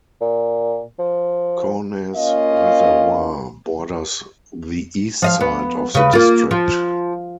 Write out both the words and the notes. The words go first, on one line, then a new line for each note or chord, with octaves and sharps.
Kaunas Reservoir borders the east side of the district.
A#2
F3
A#3 C#4 F4 D#5 F5
F3 D#5 F5
B3
C#3 B4
A#3 F4
F3